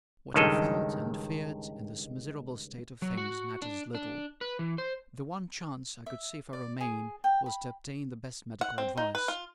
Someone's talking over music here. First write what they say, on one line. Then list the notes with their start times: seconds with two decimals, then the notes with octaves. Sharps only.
What I felt and feared in this miserable state of things matters little. The one chance I could see for Romayne was to obtain the best medical advice.
0.34 C#2 G2 D#3 G#3 A4 D#5
3.02 F#3
3.17 F#4
3.62 D4
3.95 D4
4.41 B4
4.59 E3
4.78 C5
6.06 E5
6.53 D5
6.81 G#4
7.24 G5
7.46 B5
8.61 F#5
8.78 C4
8.97 D#4
9.15 B4
9.28 F4